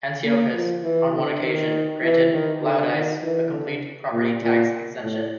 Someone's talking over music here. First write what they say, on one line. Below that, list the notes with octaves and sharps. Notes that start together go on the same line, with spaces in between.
Antiochus, on one occasion, granted Laodice a complete property tax exemption.
A#3
F3
E3
D3
D#3
E3
D#3
D3
D#3
E3
D3
A#2
A#2
A2